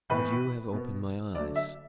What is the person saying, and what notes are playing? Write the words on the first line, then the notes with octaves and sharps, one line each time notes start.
But you have opened my eyes.
A2 E3 B3 B4
B2 B3
D3 F#3 A3 D5
E5